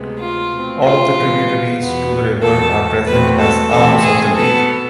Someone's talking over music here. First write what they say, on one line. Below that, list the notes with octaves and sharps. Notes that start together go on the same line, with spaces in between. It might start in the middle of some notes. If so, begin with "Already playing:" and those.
All of the tributaries to the river are present as arms of the lake.
Already playing: D2 C3 G#3 B3
F4
B2 A3 C4
F4
C3 E3 G#3 B3
E2 B2 B3
E2 B2 A3 A4
E2 B2 A3 C4 B4
A4
C3 E3 A3 C4 A4
G#4
B2 B3 A4